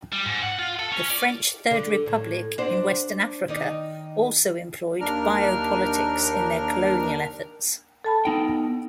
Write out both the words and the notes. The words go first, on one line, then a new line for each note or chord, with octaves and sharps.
The French Third Republic in Western Africa also employed biopolitics in their colonial efforts.
G3
G#2
F#5
F4
A4
C#4
D5
D3
A2
D4 F#4 C5
D#3 D#4 D5
D#2 D4 A#4 F6
A4 A5 B5
B3 D#4 G5